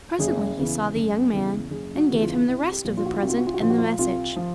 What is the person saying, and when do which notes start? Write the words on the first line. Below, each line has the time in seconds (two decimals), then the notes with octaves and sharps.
Presently he saw the young man, and gave him the rest of the present and the message.
0.19 F#1 G#4
0.57 E2 C#3 E3
0.95 F#1
1.32 E2 C#3 E3
1.70 F#1 G#4
1.96 F#4
2.10 E2 C#3 E3
2.21 F4
2.47 C2 E4
2.72 G4
2.85 A#2 F3
2.97 F4
3.06 F#4
3.14 F4
3.22 C2 F#4
3.29 F4
3.38 F#4
3.47 F4
3.54 F#4
3.61 A#2 F3 F4
3.70 F#4
3.78 F4
3.99 C2 F4
4.36 F3